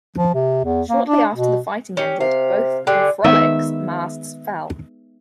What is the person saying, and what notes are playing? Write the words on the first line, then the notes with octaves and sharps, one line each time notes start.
Shortly after the fighting ended, both the "Frolic"s masts fell.
F3
C3
E2
A#3
D4
B2
C#4 G4
C3 F5
D3 G4 G#4
D#3 G#3 B3 D#4 E5